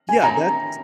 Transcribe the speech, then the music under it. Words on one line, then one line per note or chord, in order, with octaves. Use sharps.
Yeah, that's
G#5
A#5